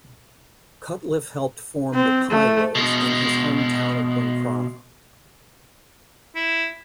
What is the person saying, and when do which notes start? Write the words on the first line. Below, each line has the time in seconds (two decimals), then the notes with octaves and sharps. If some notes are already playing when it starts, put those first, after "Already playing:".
Cutliffe helped formed The Pyros in his home town of Buncrana.
1.94 C4
2.31 A3
2.75 B2 G#3
6.35 E4